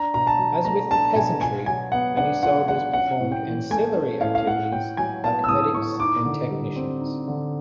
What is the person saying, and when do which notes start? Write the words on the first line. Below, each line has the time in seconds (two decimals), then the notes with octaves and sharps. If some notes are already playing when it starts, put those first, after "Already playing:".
As with the peasantry, many soldiers performed ancillary activities, like medics and technicians.
Already playing: D4 A#5
0.14 B2 A#5
0.27 A5
0.39 F#3
0.65 A3 A#5
0.91 D4 A5
1.15 B2 G#5
1.41 F4 G#5
1.66 F#3 G#5
1.92 B3 F#5
2.17 D4 F#5
2.43 F4 F#5
2.68 F#3 F#5
2.93 C#4 F#5
3.20 A2
3.32 G5
3.45 E3
3.71 A3 G#5
3.95 C#4
4.21 A2 F5
4.35 F5
4.47 A2 F#5
4.72 A2 G5
4.97 F#3 G#5
5.23 B3 A5
5.44 E6
5.48 A2 D#6
5.74 A2 C#6
6.00 D#4 D6
6.25 D3
6.50 G3
6.76 C4
7.01 D#4
7.28 D3